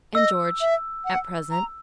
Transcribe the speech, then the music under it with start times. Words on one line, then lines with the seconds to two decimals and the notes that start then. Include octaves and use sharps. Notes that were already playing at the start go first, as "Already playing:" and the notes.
"And George,--at present."
0.15 D#5 E6
0.61 E5
1.05 F#5
1.51 A#5